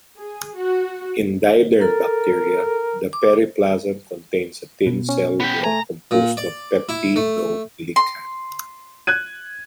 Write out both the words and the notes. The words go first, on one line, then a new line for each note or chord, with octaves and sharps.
In diderm bacteria, the periplasm contains a thin cell wall composed of peptidoglycan.
G#4
F#4
A4 A#4
D6
B2
C#4
B3 G4
A3 G#5 A#5
A#2
D5
E4
A3
C6
F#6 G#6 D#7